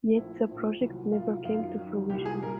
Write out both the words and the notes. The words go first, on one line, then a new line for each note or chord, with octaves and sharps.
Yet the project never came to fruition.
A#1 A#2 F3 A3 E4
A#1 A#2 F3 A3
C2 A#2 F#3
C2 A#2 F#3 F4
F#2 D#3 F#3 F4
F#2 D#3 F#3
C2 A#2 G3 G4
G#4
A#2 G3 A#4